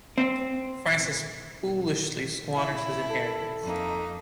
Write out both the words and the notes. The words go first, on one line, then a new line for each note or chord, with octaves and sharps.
Francis foolishly squanders his inheritance.
C4
E4
A4
F2 A#3 D#4